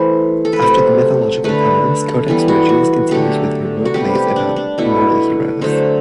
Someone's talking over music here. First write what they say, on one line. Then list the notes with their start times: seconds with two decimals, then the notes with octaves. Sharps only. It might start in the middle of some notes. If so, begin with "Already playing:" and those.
After the mythological poems, Codex Regius continues with heroic lays about mortal heroes.
Already playing: E3 A3 C5
0.45 A4
0.53 B4
0.62 C3 F#3 A3 C5
1.44 D3 A3 B4
2.28 E3 G3 B3
2.48 F#4
2.69 F#4
3.11 D3 F#3 A3 G4
3.85 F#4
3.94 C3 G3 B3 G4
4.15 G4
4.36 D4
4.56 D4
4.78 B2 A3 E4
5.61 D3 F#3 A3 C5